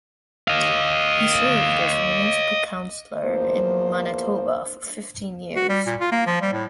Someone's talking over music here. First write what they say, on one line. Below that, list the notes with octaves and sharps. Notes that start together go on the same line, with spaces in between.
He served as a municipal councillor in Manitoba for fifteen years.
D#5 F5
E2 F3 A#3 C5
F#4
G3
A#2
F4
A#3
F3
G3
A2